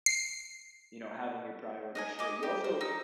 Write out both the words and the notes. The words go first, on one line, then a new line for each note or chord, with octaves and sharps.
you know, having your priorities straight. You also
C7
G#4 B4 D#5
D#5 D6
G4
C5
D#4 E6